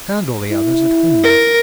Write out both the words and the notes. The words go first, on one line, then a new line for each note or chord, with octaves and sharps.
I found all the others at home.
E4
A#4